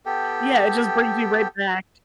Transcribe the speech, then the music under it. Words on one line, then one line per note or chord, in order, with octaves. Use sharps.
yeah, it just brings me right back
B3 G4 A4 G5